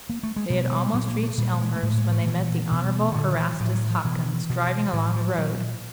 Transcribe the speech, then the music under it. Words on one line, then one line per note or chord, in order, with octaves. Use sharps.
They had almost reached Elmhurst when they met the Honorable Erastus Hopkins driving along the road.
A#3
A3
G#3
B2 G3
G3
A#2 F#3
A#3
A3
A#2 G3
G3
G#3
A3
A2 G#3
G#3
A3
A#2 E3
B2
D#3
A#2 D3
E3
A2 F3
F#3
F3
B2 E3
B2
A2 E3
F3
A#2 F#3